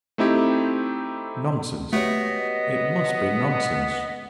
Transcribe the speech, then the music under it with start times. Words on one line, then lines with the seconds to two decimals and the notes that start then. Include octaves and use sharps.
Nonsense; it must be nonsense!
0.18 A3 C4 D#4 E4 G4
1.93 A3 B3 F#4 G4 C#5 D#5